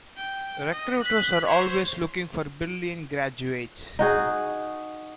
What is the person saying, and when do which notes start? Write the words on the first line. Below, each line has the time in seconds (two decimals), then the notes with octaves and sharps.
Recruiters are always looking for brilliant graduates.
0.17 G5
0.72 D#5
1.02 F#6 B6
1.47 C5 C#5
3.99 D#4 F#4 G#4